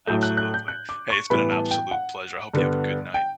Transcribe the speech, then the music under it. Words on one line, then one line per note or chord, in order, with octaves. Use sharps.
Absolutely. Hey, it's been an absolute pleasure. I hope you have a good night.
A2 F#3 A3 G6
F#6
F#6
G6
F#6
D6
C#6
A2 E3 G3 B3 B5
A5
G5
F#5
G2 D3 G3 B3
G5